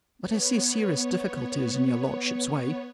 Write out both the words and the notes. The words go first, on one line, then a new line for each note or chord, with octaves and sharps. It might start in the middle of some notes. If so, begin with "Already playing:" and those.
But I see serious difficulties in your lordship's way.
B3 C#5